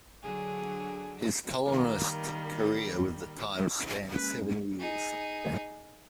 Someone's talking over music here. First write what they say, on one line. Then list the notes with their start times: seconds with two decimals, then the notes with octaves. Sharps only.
His columnist career with the "Times" spanned seven years.
0.23 D3 F#3 G#4
1.66 D#3 G3 A#3
4.14 G#3 A#3 C#4 B4
4.79 D#4 G#4